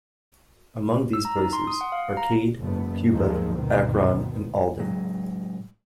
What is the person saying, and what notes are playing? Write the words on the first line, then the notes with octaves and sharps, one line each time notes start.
Among these places: Arcade, Cuba, Akron, and Alden.
E6
A#5
D#4
C6
D#6
F#5
F5
A#5
F#1 E2 G#2 A3 B3
D#2 G#2 D#3 F3 G#3 A3
D2 G2 B2 D#3 B3 C4
A2 C#3 F#3 G#3